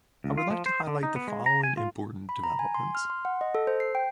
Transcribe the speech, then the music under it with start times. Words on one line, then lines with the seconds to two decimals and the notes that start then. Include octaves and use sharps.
I would like to highlight the following important developments.
0.24 C#2
0.38 F4
0.51 F3
0.66 C5
0.87 D3
1.03 D#4
1.16 B3
1.28 G#3
1.46 A#5
1.63 G#5
1.77 F4
2.29 B5
2.44 A#5
2.59 G#5
2.74 C6
2.95 F6
3.10 C6
3.25 F#5
3.41 D#5
3.55 A4
3.67 C5
3.80 C7
3.95 G5